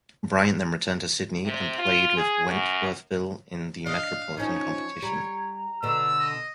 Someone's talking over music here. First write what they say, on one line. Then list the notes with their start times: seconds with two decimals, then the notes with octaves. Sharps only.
Bryant then returned to Sydney and played with Wentworthville in the metropolitan competition.
1.45 C3
1.78 F4
2.16 G#4
2.49 F#2
3.86 D4 D#5 F5
4.38 F3 C#4 D#4 C#5
5.02 G3 A#5
5.83 B2 D3 E6
6.20 D#5